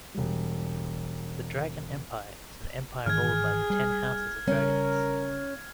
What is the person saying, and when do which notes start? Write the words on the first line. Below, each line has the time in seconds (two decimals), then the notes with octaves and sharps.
The "Dragon Empire" is an empire ruled by the ten houses of dragons.
0.14 E1 G3
3.06 G#2 D#3 E3 G#4 F6 G#6
3.70 G3
4.47 C#3 G3 C#4 A#4